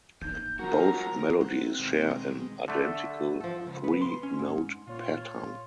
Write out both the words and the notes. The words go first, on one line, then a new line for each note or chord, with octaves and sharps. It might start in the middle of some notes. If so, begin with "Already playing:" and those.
Both melodies share an identical three note pattern.
A#3 D#4 G6
F3 F#4 A#4 A#5
C5 F#5
C4 E4
B2 D#3 G#3
D3 A3 A4
F3 A4
C#2
B3
C6
C#4
G#2
A#2 F4 C#5